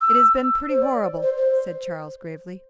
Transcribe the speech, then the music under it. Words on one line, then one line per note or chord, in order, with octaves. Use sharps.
"It has been pretty horrible," said Charles gravely.
E6
C5
D5
C5
C5